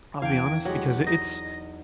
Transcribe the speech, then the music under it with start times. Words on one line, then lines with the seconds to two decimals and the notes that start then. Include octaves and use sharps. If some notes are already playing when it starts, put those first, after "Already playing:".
I'll be honest because i it's
0.22 E2 D4 F5 G5 G#6 D7
0.65 F#3 G#3 G4 F#5
1.07 D#4 D#5 A#6